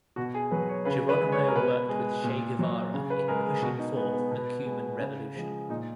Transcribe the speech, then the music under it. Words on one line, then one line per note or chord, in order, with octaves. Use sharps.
Jeronimo worked with Che Guevara in pushing forth the Cuban Revolution.
B2 F#4
G#4
F#3 B4
C#5
C#3 B4
B4
G#3
C#5
A#4
B2 B4
G#3
A#2
F#3
C#3
B4
G#3 A#4
G#4
B2 F#4
D#4
G#3 B3
B3
B2
G#3
C#3
F3 G#3
A#2 D#4